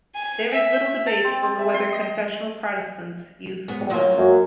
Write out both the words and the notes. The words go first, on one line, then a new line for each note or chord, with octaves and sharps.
There is little debate over whether confessional Protestants use forms.
G#5
E5
A5
C4
C4
E5
C6
D#5
G#2 B3
F#3 A#3 F4
F#2